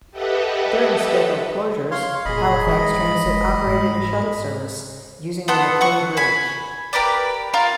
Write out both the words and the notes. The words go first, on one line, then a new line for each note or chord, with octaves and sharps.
During scheduled closures, Halifax Transit operated a shuttle service using the MacKay Bridge.
G4 A4 B4 D#5 E5 F#5
C#5 F5 C6
F1 A#2 G#4 D#5 B5
G#2 E3
F#1 G#3
G#2
B3 A4 F#5 C6
F#5 C#6
G#5 B5
G4 A#4 B4 D5
F4 A#4 F5